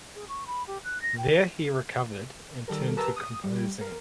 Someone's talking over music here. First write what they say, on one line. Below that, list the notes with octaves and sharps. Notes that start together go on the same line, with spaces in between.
There he recovered and turned to composing.
G#4
C#6
B5
G4
F#6
A#6
G5
D#3 G3 A4 A#4
G4 A#4 B4 A5 A#5 E6
D#6
G3
A#4